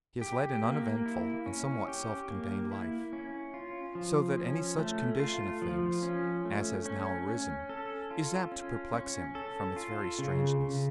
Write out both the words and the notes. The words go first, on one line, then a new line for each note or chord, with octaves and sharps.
He has led an uneventful and somewhat self-contained life, so that any such condition of things as has now arisen is apt to perplex him from its very strangeness.
G4
A#3
E4
C#4
G4
A#3
E4
C#4
F4
F3
C#4
A3
F4
F3
C#4
A3
C#4
C#4
A4
F4
C#4
C#4
A4
F4
C#3
C#3